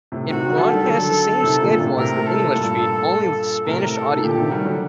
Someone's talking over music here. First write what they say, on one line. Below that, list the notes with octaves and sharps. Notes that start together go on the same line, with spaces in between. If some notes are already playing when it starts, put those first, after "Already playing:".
It broadcast the same schedule as the English feed, only with Spanish audio.
A2 C3
C3 D#3 F#4
D3 F#3
A4
D#3 G3
G3
D3 F#3
C3 D#3
A#2 D3
A#2
A2 C3
A2 C3 A#4
A4
G2 A#2
A2 C3 A#4
A4
D#3
A#2 D3 G4
C3 D#3
D#3 G3 F#4
D3 F#3